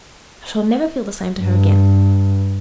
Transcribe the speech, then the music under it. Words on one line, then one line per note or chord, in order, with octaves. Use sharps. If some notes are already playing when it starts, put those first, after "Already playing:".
I shall never feel the same to her again.
G2